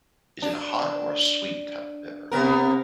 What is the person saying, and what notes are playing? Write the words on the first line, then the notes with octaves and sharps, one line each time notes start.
Is it a hot or a sweet type of pepper?
D4
C3 B3 A#4